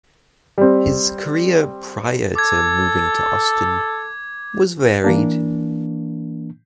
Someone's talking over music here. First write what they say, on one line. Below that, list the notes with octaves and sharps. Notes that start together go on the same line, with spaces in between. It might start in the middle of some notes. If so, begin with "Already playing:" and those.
His career prior to moving to Austin was varied.
G3 C4
A4 D6 G#6
E3 A#3 D4